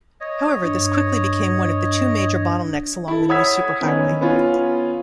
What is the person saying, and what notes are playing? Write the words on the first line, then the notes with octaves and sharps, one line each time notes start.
However, this quickly became one of the two major bottlenecks along the new superhighway.
C#5 D#5
G2
E4 A4
C#5 F#5 D#6 E6 G#6 B6
D#3 B3 C#4
B3 C#4 F4